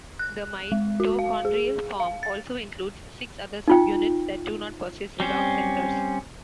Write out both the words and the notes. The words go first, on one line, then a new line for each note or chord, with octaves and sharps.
The mitochondrial form also includes six other subunits that do not possess redox centres.
F#6
G#3
F#4
F5
G#4
F5
A6
D#4 F4 G5
G3 C4 C#4